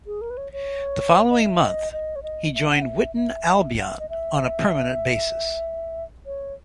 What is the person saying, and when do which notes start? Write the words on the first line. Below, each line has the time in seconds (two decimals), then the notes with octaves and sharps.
The following month he joined Witton Albion on a permanent basis.
0.06 G#4
0.21 A#4
0.30 B4
0.37 C#5
0.53 C#5
1.30 D#5
1.44 E5
1.57 D#5
1.92 D#5
2.16 C#5
2.23 D#5
2.54 E5
2.68 F#5
2.82 E5
3.16 E5
3.78 F#5
3.89 E5
3.99 D#5
4.09 E5
6.26 C#5